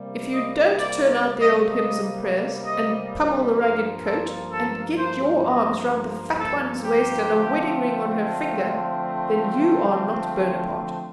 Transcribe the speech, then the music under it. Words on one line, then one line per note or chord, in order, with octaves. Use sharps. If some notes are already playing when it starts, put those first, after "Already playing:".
If you don't turn out the old Hymns-and-prayers, and pummel the Ragged coat, and get your arms round the fat one's waist and a wedding-ring on her finger, then you are not Bonaparte.
Already playing: C3 G3 A#3
D#5
D5
D5
D#5
D#5
D#5
G2 F3 A#3 F5
A4
A4
C5
D#5
A4
G4
D3 F3 A3 C4